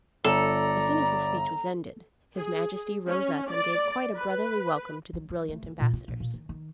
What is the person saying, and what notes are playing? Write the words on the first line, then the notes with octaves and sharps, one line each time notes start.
As soon as the speech was ended, his Majesty rose up and gave quite a brotherly welcome to the brilliant ambassadors.
G1 A4 D5 A#5
G#4
C#4
D5
B4
F#3
F#3
A3
D3
A#2
F4
A#1
A#2
D#3
D#3